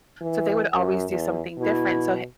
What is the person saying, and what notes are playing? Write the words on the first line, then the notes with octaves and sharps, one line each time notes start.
so they would always do something different, so h
E3
F#2
E2
B2 E4